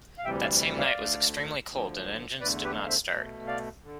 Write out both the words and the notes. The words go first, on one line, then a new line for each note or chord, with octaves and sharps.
That same night was extremely cold and engines did not start.
F5
D2 C3 E3 G3 E5 G5
D5 F5
D5 F5
D2 D3 A3
D2 D3 F3
E2 D3 A3 B4 D5
G4 B4
F5
C5 E5
B2 A3
D5 F5
D3